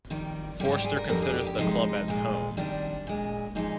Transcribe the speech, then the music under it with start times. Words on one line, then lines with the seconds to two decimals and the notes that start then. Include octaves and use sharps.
Forster considers the club as "home".
0.10 F2 D#3 G3
0.60 G3 G4
0.65 G#2
0.72 G4
0.84 G#4
0.97 A#4
1.09 F2 D3 G3 A#4
1.22 G#4
1.34 G4
1.47 G4
1.58 C3 F3 G#3 D#4
2.08 A#2 G#3
2.57 C3 D#3 G3 D4
3.07 A#2 G#3
3.55 A#2 F3 G#3 D#4